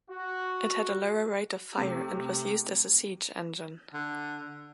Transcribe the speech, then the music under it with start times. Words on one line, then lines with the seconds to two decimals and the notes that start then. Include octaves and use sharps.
It had a lower rate of fire and was used as a siege engine.
0.11 F#4
1.78 C3 A3
3.93 D3